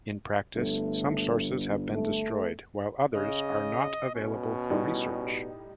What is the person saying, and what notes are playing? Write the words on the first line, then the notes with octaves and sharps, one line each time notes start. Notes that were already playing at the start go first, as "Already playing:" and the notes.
In practice some sources have been destroyed, while others are not available for research.
G1 A3
A3
C#3 D#5
B2 C#4
A2 G3 D#4